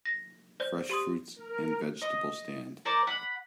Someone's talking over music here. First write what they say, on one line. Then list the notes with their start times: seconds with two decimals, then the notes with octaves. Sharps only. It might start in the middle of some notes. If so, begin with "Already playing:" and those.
Fresh fruits and vegetable stand.
0.05 A#6
0.60 C5 D5 G6
0.90 G4 C6 D#6
1.35 A#4
2.02 D#5
2.85 A#4 C5 D5
3.07 F#5 B5